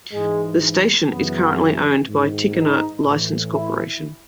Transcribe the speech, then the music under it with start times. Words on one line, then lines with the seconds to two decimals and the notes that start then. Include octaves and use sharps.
The station is currently owned by Tichenor License Corporation.
0.12 G#2 E3 G#3
1.10 F#2 C#3 E3 B3
2.07 G#2 D#3
2.56 D#4
3.04 A2 E3
3.53 E4